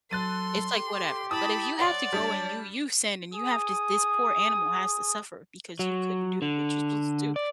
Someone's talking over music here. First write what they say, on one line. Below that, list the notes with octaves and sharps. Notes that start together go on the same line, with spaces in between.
it's like, "Whatever." But if you have to go and you you sin and you have to this poor animal has to suffer because you couldn't do what you're supposed to do,
F#3 A4 C6 F#6 A6 D#7
G4 A4
E4 A5 B5 D#6
C#5 D5 F#5 C6
G3 D4 A5
G#4 D#6
F#3
D3
D5